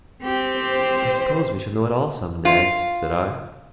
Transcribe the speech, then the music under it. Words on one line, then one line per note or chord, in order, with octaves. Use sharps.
"I suppose we shall know it all some day," said I.
C4 G4
C5
F4